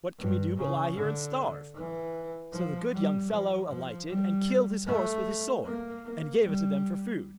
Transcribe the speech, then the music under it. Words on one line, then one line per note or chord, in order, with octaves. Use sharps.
What can we do, but lie here and starve?' So the good young fellow alighted and killed his horse with his sword, and gave it to them for food.
G2
C#3
D3
E3
F3
G3
F3
F3
G3
A3
A#3
A#3
G3